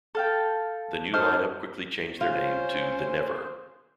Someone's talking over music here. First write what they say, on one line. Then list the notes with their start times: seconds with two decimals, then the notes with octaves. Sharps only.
The new lineup quickly changed their name to The Never.
0.15 A4 F5 G5
1.13 D#4 A4 C5 F6
2.21 C#4 F4 C5